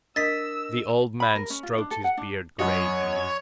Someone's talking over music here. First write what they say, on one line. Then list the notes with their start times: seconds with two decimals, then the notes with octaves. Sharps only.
The old man stroked his beard gravely.
0.16 D4 A#4 D#5 E6 A6 B6
1.20 B5
1.36 A#4
1.50 C#4
1.63 F4
1.78 D4
1.91 A4
2.04 F#5
2.17 D4
2.59 F#2 F#4 C#5 D#5